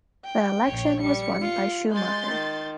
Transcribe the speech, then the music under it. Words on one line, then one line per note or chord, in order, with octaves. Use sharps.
The election was won by Schumacher.
G5
A#1 C#5
G3 C#7
F4
G#3 C6 G6 A6
D#3